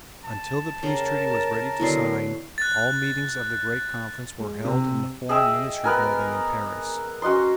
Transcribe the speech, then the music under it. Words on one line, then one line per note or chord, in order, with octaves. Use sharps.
Until the Peace Treaty was ready to sign all meetings of the great conference were held in the Foreign Ministry building in Paris.
A5
C#3 G4 A#4 D5
D3 F#3 B3 E4 C7
F#6 A6
G#3
C3
G#4 D#5 E5 G5
B3 A#4 G#5
C#4 F#4 D#5 C6